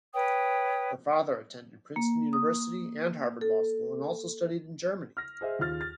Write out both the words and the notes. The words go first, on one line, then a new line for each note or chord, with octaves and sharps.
Her father attended Princeton University and Harvard Law School and also studied in Germany.
B4 C#5 G5 D#6
A#3
D#6
A4
F6 A#6
G#4 C5 D#5 E5
D#2 F4 G#4 F6 A6
A6